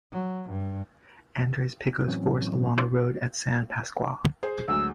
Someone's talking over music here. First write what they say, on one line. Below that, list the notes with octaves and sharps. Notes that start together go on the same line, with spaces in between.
Andres Pico's force along the road at San Pasqual.
F#3
G2
A2 E3 F#3 C4 C#4
G#4 C5
D2 F#3 G#3 E6